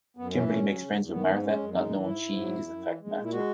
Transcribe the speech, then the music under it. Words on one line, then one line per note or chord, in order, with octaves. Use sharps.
Kimberly makes friends with Martha, not knowing "she" is in fact Matthew.
F#2 B3
E3 C#4
A#2 C#4
F#3
C#3
E2
D#3 B3
G#2 B3
G#3 C#4
F#2
G#3 D#4
E3
G#2 E4
G#2
F#3
E2
F#2
E3
G#3
A#2
E4
G#3 F#4